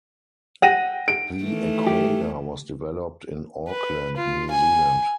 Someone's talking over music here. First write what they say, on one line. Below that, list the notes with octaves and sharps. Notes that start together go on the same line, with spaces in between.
The Aquada was developed in Auckland, New Zealand.
F#5 G5 A#6 D#7
D7
D#3 E3 A3
G4
B4
F4
G#5